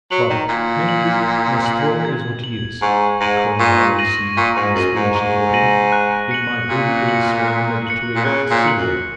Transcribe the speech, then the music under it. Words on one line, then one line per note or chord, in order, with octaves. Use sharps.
But mainly Nostromo is what he is because I received the inspiration for him in my early days from a Mediterranean sailor.
F#3 F#7
D#3
A#2 G#6
F#7
G#6
F#7
G#6
F#7
G#2 C#6
G#2 A#6 D#7 F#7
A#2 C#6
A#6 D#7 F#7
A#2 C#6
G#2
F#2 A#6 D#7 F#7
G#2
G#2 C#6
A#6 D#7 F#7
F#6
C#7 F#7
A#2 F#6
C#7 F#7
F#6
C#7 F#7
A#2
C#3 F#6
A#2
C#7 F#7
F#2